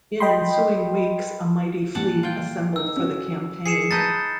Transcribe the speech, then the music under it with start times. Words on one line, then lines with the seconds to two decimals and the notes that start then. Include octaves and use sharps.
In ensuing weeks a mighty fleet assembled for the campaign.
0.20 D#5 G5 B5 C6
1.95 A#2 E3 G3 F#5 A5
2.23 F4 G5
2.76 D#4 E6
2.96 C#4 F#4
3.66 G#4 C7 C#7 E7
3.91 D#4 B4 D#5 A5 G6 A6